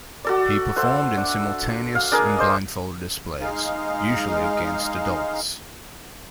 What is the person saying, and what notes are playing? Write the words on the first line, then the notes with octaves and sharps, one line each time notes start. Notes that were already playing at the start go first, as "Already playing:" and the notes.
He performed in simultaneous and blindfold displays, usually against adults.
F#4 A4 D5
A4 C5 E5 F#5
D4
F5
D4 G#4 A#4
C5 D5 D#5
G#3 D#4 F5